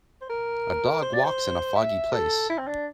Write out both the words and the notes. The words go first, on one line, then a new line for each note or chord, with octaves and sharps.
A dog walks in a foggy place.
C5
A#4
C5
D5
C5
E5
A4
E4
C4
D4